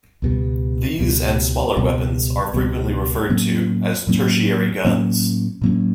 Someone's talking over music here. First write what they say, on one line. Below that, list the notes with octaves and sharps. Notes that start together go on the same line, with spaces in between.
These and smaller weapons are frequently referred to as tertiary guns.
C#2 B2 G3
C#2 B2 G3
C#2 B2 G3
C#2 B2 G3
A2 F#3 A#3 C#4
A2 F#3 A#3 C#4
A2 F#3 A#3 C#4
A2 F#3 A#3 C#4